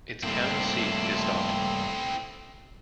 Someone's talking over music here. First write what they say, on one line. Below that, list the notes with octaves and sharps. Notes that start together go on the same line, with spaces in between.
Its county seat is Stockton.
G2 A3 A#3 C4 E4